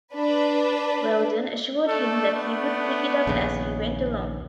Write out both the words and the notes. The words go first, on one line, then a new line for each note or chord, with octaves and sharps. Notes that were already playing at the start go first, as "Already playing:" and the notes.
Wheldon assured him that he would "pick it up as he went along".
D4 B4
A3 D4 A4
B3
A#1 D#2 C#3